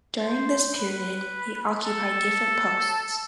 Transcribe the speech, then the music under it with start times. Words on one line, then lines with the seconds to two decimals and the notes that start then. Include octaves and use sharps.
During this period he occupied different posts.
0.20 C5
0.74 B4
1.82 A4